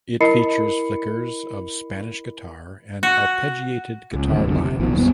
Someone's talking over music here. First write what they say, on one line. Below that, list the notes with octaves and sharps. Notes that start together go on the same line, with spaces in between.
It features flickers of Spanish guitar and arpeggiated guitar lines.
E4 A#4 D#5 B5 C7 C#7
F#4
C#2
D1 D2 D#3
F1 B1 D3
C3
A#1 B2 D#3 F3
F2 G3 B3